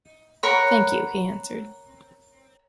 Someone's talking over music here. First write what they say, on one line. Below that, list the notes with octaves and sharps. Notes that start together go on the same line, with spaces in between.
"Thank you," he answered.
A#4 C#5 F#5 B5